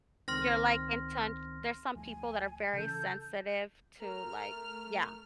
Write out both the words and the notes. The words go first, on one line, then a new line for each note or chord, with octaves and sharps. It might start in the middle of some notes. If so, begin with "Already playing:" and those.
You're, like, intense There's some people that are very sensitive to, like Yeah.
C#2 D#3 C4 C6 F6 A#6
D2 F3 A3 G#5
C#3 E3 C#4 A4 G6
A3 A#4 A#5 F6